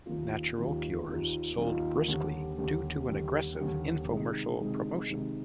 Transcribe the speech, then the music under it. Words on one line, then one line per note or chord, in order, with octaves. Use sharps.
"Natural Cures" sold briskly due to an aggressive infomercial promotion.
D#2 D#3 A#3 F4
D#2 D#3 A#3 F4
D#2 D#3 A#3 F4
D#2 D#3 A#3 F4
D#2 D3 G3
D#2 D3 G3
D#2 D3 G3
D#2 D3 G3
C3 D#3 G#3 D#4
C3 D#3 G#3 D#4
C3 D#3 G#3 D#4